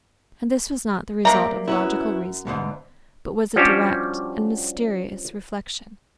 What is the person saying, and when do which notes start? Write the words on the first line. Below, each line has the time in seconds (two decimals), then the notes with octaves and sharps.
And this was not the result of logical reasoning but was a direct and mysterious reflection.
1.25 C3 G3 A#3 E5 A#5
1.68 F#2 B3 C#4 E4
2.47 D2 G#2 B2
3.56 F3 G3 C#4 D4 F#4 G4